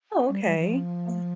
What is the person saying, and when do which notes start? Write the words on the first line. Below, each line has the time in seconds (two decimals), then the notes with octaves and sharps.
Oh, okay. Um
0.30 G3
0.44 G3
0.59 F3